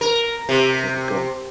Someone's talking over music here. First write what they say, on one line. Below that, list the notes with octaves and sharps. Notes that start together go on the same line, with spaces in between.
They have gone.
A#4
C3